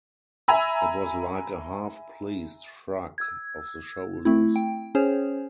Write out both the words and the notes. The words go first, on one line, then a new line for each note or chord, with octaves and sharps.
It was like a half-pleased shrug of the shoulders.
E5 G#5 A#5 B5 E6
E6 G#6
A3 C4 E4
G5
C#4 G#4 C5 C#5